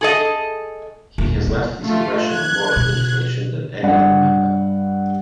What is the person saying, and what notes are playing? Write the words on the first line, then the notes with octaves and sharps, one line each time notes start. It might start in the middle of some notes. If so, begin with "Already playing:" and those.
He has left his impression on more legislation than any other member.
G#4 A4 D#5
D#1 A#3
B3
A3 F4
F#6 G#6
B2
G2 F#5